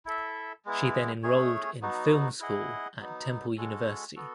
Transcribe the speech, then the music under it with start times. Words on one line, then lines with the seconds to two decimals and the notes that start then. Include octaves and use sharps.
She then enrolled in film school at Temple University.
0.05 E4 A4 E5
0.65 G#3 B3 E4
1.23 A3 C#4 G#4 C#5
1.81 F#3 B3 D#4 F#4
2.40 E4 G#4 D#5 F#5
2.99 F#3 B3 D#4
3.57 G#3 C#4 F#4 A4
4.16 B3 F#4 A4